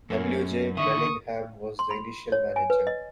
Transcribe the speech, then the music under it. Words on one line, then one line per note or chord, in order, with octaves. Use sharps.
W. J. Bellingham was the initial manager.
F#2 A3 A#3 C#4
D3 D#3 E5 C#6 D#6
C6
B5
C#5
G#5
B4
D#5